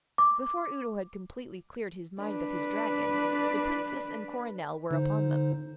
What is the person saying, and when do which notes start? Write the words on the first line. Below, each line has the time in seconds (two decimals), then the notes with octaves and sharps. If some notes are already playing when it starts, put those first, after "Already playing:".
Before Udo had completely cleared his mind of his dragon, the Princess and Coronel were upon them.
0.18 D6
2.22 D4 B4
4.91 D3 D#4 C5